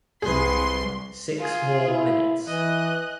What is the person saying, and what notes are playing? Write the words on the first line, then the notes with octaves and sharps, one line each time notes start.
Six more minutes.
C2 G#4 B4 C6
F4 G#4
E4
E3 D#5 F#6